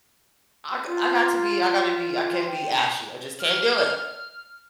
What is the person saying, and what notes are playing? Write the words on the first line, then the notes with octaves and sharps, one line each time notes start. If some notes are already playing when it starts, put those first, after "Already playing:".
I g I got to be I gotta be I can't be ashy. I just can't do it.
F4
G5
F6